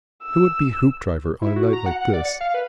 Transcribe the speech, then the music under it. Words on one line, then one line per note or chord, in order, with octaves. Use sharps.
Who would be Hoopdriver on a night like this?
E6
E4
F#4
A#5
F#5
F#5
D5
C#7
F5
B4